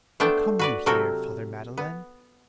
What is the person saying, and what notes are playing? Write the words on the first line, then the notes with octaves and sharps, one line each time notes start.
How come you here, Father Madeleine?
A3 B3 D4 C5 G5 A5
F#4 B4 D5
C3 F#3 C4 F#4 A4 A#4
B3